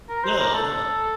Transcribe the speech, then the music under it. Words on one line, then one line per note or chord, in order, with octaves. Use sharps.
No, no.
A#4
C5
A#4
A4